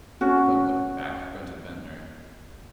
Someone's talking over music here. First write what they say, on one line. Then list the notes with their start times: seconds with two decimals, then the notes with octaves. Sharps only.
"Don't look back," grunted Ventnor.
0.21 C#4 F#4